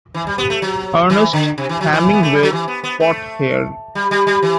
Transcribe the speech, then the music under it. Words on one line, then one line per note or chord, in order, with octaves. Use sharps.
Ernest Hemingway fought here.
E3
G3
B3
A3
F#3
E3
D3
C3
E3
F#3
E3
B3
A3
G3
F#3
E3
B3
B3
A3
G3
G3
G3
E3